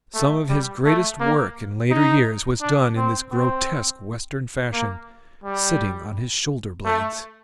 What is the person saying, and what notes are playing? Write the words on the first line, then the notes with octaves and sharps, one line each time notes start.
Some of his greatest work in later years was done in this grotesque Western fashion,--"sitting on his shoulder-blades."
A3
G3
A3
A#3
D#4
D4
C4
C4
A#3
G3
A3